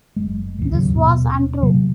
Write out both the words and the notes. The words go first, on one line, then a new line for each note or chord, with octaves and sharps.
This was untrue.
F#1 G#3
A1 D#2
D#2 G#2 C#3 F#3
D#1 B2
E1 C3 F#3 A#3